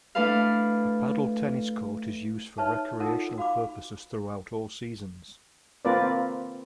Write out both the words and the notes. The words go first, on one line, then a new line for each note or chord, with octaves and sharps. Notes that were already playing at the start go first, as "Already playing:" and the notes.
A paddle tennis court is used for recreational purposes throughout all seasons.
A3 D4 E4 A4 B4 F5
D#4 B4 C#5 E5 A5
D#4 F4 A4 A#4 F#5
F#4 F5 B5 D6
A#3 C4 F4 A#4 B4 D5